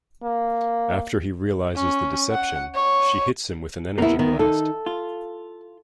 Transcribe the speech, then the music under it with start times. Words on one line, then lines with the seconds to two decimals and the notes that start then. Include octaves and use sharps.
After he realizes the deception, she hits him with an energy blast.
0.23 A#3
1.75 C#4
2.32 F#5
2.74 C#5
3.98 C3 A#3 B3 E4 A#4
4.19 D#3 B3
4.39 D#3 D#4 A4
4.86 F4